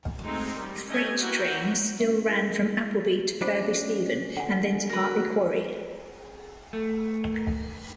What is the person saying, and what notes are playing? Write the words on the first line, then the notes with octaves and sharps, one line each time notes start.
Freight trains still ran from Appleby to Kirkby Stephen and then to Hartley Quarry.
G#3 A3 C4 D#4
D#3 G3
G3 A3 C#4 D#5 G5 G#5
A#3 E4 F#4 G5
C#4 E5
E4 G#4 A#4 D#5 E5
F#3 C#4 D4 F4 C5 D5 F5
D3 F#5 G#5
F#4 A#4 B4
A3